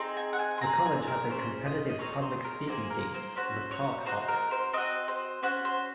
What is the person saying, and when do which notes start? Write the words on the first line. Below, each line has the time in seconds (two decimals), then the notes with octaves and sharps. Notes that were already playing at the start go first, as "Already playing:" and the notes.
The college has a competitive public speaking team, the Talk Hawks.
Already playing: C4 D#4 G#4
0.17 G#5
0.33 F#5
0.39 G#5
0.58 C6
0.61 C4 D#4 A#5
0.66 G#4
0.85 G#5
1.07 A#4
1.30 C#4 G#4 C5
1.66 D#5
1.90 D#5
1.99 C4 D#4 G#4 C#5
2.22 C5
2.44 A#4
2.67 A#3 F4 G#4 C5
2.90 A#4
3.14 C5
3.36 C#4 F#4 C5
3.71 C#5
4.05 C4 D#4 F#4 C5
4.28 A#4
4.51 C5
4.73 C4 F#4 D#5
5.08 C5
5.43 C#4 F#4 C5
5.65 C5